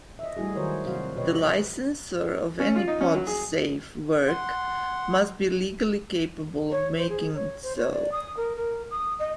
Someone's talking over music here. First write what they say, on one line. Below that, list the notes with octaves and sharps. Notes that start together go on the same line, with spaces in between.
The licensor of any podsafe work must be legally capable of making it so.
D#5 E5
G3 A3 E4 F#4 G#4
D#3 F#3 F#4 A#4 C5 C#5
C3 F3 F#3 F#4 C5 F5
B2 G4 B4 C#5 D#5
C#4
F4
D#4
C#4
F#3
G#4
F#5 C6
C#5
C5
G#4
C#5
C5
C#5
D5
D#6
A#4
A#4
D#6
D#5